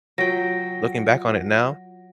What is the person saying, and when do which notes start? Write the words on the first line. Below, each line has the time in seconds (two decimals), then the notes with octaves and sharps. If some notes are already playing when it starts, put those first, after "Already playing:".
looking back on it now
0.18 F#3 F4 G5 A#6